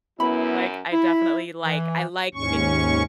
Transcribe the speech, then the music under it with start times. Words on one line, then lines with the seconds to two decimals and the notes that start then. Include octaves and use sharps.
Like I definitely like, I like convenience.
0.20 F#2 B3 E4 B5
0.93 E4
1.66 E3
2.35 D#2 G#2 C#4 C#6